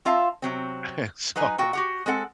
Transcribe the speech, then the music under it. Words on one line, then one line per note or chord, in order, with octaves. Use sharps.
And so,
C4 F4 E5 F5 A5
C3 F#3 C4
F#3 D#4 B4 G#5 A#5
A#2 F#4 G5
F#4 G4 F#5
G#3 C4 A4 F#5